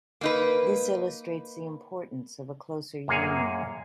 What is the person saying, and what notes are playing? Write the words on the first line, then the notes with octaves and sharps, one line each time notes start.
This illustrates the importance of a closer union.
A#3 D#4 B4
F#2 A#2 A#3 G#4 C#5 G#5